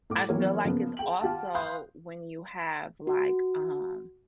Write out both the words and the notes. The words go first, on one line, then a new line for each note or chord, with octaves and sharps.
I feel like it's also when you have like, um,
A2 D6
E3 F#3 A#3 B3 G4 C#5
C#3 F3 A#3 B3
G#4 G5 F#7
F4 G4 F#5 A5
F5 B5 C6 D#6 F#6 G6
F#4